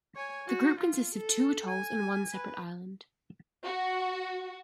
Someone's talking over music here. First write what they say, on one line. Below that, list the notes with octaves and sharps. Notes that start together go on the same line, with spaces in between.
The group consists of two atolls and one separate island.
C#5 G#5
F#4
F4
A4
G#5
B4
F#4